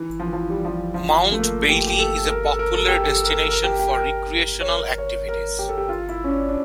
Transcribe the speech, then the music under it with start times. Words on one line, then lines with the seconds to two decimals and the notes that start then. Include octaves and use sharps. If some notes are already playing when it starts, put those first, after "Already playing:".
Mount Bailey is a popular destination for recreational activities.
Already playing: E3
0.20 F3
0.27 E3
0.33 F3
0.49 G3
0.65 F3
0.94 F3
1.09 F3
1.32 A3
1.39 A#3
1.69 G4
1.87 G4
1.99 A4
2.25 A4
2.29 A#4
2.45 A4
2.59 A#4
2.74 A4
2.88 G4
3.04 A4
3.09 G4
3.24 A#4
3.29 A4
3.49 A#4
3.64 G4
3.79 G4
3.94 A#4
4.61 C#5
4.68 A#4
4.98 C#5
5.28 A#4
5.59 G4
5.69 A4
5.78 G4
5.89 F4
6.09 E4
6.24 C#4
6.28 D4
6.49 D4